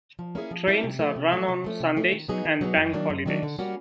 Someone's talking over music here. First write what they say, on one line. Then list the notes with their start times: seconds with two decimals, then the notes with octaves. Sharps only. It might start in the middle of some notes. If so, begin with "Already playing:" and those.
Trains are run on Sundays and bank holidays.
0.19 F3
0.35 A#3 C#4 E4 G#4
0.51 F3
0.67 A#3 C#4 E4 G#4
0.84 C3
0.99 F3 A3
1.16 C3
1.32 F3 A3
1.48 C3
1.64 F3 A3 C#4
1.80 C3
1.96 F3 A3 C#4
2.12 D#3
2.28 F#3 B3 D#4 G#4
2.45 D#3
2.61 F#3 B3 D#4 G#4
2.77 F#2
2.93 D#3 F#3 A#3 D4
3.10 F#2
3.26 D#3 F#3 A#3 D4
3.43 D3
3.59 G3 A#3 C#4 F#4